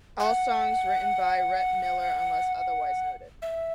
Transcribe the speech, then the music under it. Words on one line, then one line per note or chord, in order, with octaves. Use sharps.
All songs written by Rhett Miller unless otherwise noted.
F#5
E5